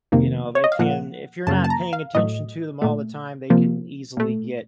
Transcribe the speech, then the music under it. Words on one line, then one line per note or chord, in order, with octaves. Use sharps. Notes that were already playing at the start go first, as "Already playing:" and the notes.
you know, they can if you're not paying attention to them all the time, they can easily get,
F2 C3 D#3 A#3
C#5
D#5
F5
A#2 F3 A#3 F#5
F#2 C#3 F#3 A#3 A5
A5
A#5
F5
A2 F#3 A3 D#5
A#2 A3
C3 F3 A#3
A#2 A3